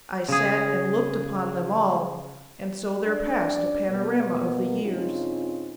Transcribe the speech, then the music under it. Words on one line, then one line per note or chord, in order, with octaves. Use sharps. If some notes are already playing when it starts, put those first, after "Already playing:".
I sat and looked upon them all, and so there passed a panorama of the years.
C#3 G#4
F#2 D4 D5
B2 A#3 B3
G2 C#3 C4 C#4 D#4 F4